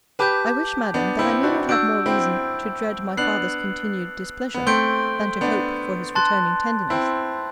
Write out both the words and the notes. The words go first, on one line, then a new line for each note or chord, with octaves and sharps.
I wish, Madam, that I may not have more reason to dread my father's continued displeasure, than to hope for his returning tenderness.
G4 B4 A5 D6 G6
B3 D4
C4 E4
D4 F#4
D4 F#4 E6 G6 D7
C4 E4
B3 D4 F#6 C7 F#7
B3
A3 C4 C6 G6 D7 G7
B3 D4
A5 C6 F#6 A6
C4 E4